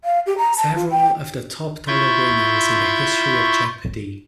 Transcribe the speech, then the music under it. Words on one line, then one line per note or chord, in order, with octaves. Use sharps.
Several of the top dollar winners in the history of Jeopardy!
F5
G4
A#5
A5
F4
G5
E4 F4 E5 C6 C#6 G6